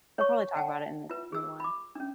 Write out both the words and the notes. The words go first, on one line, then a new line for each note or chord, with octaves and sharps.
They'll probably talk about it in this new one.
C#5 C#6
F#5 G5 A5
F4 B4
G#4 E6
B5 D6
C#4 D4